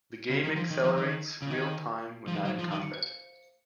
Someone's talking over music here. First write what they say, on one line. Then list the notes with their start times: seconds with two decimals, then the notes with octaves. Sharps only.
The game accelerates real time when not in combat.
0.30 C#3
0.44 D#3
0.56 F3
0.71 D#3
0.83 F3
0.97 D#3
1.42 C#3
1.50 D#3
2.28 F3
2.32 D#3
2.45 F#3
2.59 F3
2.71 D#3